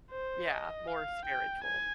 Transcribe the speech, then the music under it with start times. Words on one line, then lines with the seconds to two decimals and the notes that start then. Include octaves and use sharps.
Yeah, more spiritual.
0.11 C5
0.49 D#5
0.88 F5
1.25 G5
1.64 G#5